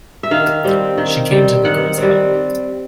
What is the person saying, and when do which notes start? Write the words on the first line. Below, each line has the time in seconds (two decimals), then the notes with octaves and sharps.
She came to the girl's help.
0.23 E5
0.31 D#3 F5
0.64 G3 C4
0.98 D#3
1.31 G3 C4
1.65 D#3 F#5
1.98 G3 C4